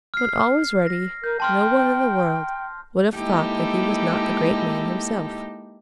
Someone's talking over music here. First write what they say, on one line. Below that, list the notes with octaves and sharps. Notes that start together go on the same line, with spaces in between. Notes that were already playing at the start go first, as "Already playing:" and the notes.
When all was ready, no one in the world would have thought that he was not the great man himself.
F6 C7
A#6
A#4 G6
G5 A5 C6 F6
G#3 A#3 D#4 E4 G4 A4